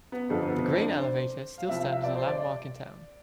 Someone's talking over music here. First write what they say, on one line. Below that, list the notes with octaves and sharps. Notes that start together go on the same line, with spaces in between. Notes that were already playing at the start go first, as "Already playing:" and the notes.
The grain elevators still stand as a landmark in town.
B3
G1 F2 D3 F3 C4
B3
C4
D4
C5
F5
C2 C3 F3 E5
F5
E5
D5
C5
D5
D5